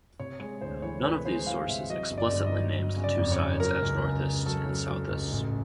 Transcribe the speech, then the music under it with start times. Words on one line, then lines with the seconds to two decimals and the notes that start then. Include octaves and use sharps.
None of these sources explicitly names the two sides as Northists and Southists.
0.20 C3 C#5
0.40 G#3 C#5
0.61 D2 C5
0.82 E3 C#5
1.05 C3 B4
1.25 G#3 C5
1.47 E3 F5
1.68 C3 E5
1.89 F#3 D#5
2.11 G1
2.18 D5
2.32 G1
2.46 D#5
2.54 F#3
2.76 F#3
2.96 C#3
3.04 D5
3.18 F2
3.32 C#5
3.39 C#3
3.60 F#3 A#4
3.82 C#2
4.04 C#3
4.25 C#3
4.45 F#3 A4
4.67 F#3
4.88 F#3
5.11 C#2
5.31 A1